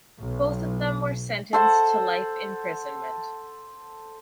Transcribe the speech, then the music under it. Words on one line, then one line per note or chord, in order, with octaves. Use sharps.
Both of them were sentenced to life imprisonment.
B1
A4 C5 F#5